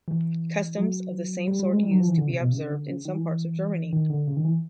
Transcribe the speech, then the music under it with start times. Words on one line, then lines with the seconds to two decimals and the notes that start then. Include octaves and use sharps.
Customs of the same sort used to be observed in some parts of Germany.
0.08 E3
0.78 F#3
1.48 G3
1.59 G3
1.71 G#3
1.83 G3
1.91 F#3
2.00 F3
2.08 E3
2.18 D3
2.29 C3
2.41 B2
2.52 C#3
2.70 D3
2.88 C#3
3.05 D#3
3.14 E3
3.93 D#3
4.10 D3
4.28 C#3
4.37 D#3
4.45 E3